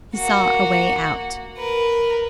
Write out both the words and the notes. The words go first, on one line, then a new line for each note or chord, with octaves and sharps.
He saw a way out.
A#3 F#4
A#4 B4